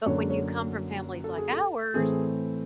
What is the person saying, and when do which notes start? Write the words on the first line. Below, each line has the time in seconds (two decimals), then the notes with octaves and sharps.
but when you come from families like ours
0.06 F#2 D3 F#3 A#3 C#5
0.30 C#5
1.24 A4
1.38 G#4
1.51 A4
1.94 A2 E3 A3 C4 G#4